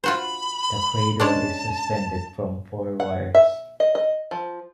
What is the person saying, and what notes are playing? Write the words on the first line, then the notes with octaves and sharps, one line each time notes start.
The cradle is suspended from four wires.
F4 F#4 C5 B5
G#3 C#4 D4 A5
F#5
E5
D#5
D#5
F3